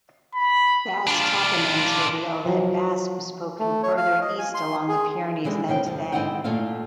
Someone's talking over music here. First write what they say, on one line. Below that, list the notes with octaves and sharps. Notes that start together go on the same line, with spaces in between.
Basque toponyms reveal that Basque was spoken further east along the Pyrenees than today.
B5
D4 F4
F3 F#3
A3
C#5
F5
D#5
G#5
C6
G#4
D3 E3 F3 G3 G#3
C#3 E3 F3 G5
F2 F3
G#2 C4 E4 D#5 F#5 G5
A#2 A3 F4 E5 F5